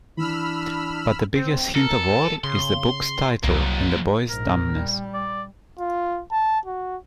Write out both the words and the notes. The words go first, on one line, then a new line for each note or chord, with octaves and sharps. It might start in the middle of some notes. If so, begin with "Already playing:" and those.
But the biggest hint of all is the book's title and the boy's dumbness.
E3 D4 B5 E6 F6
C4
A4 A#4
C#3 C6
C2 F#3 A#3
A#1 G#2 A#4
G3
D5
F4
A5
F#4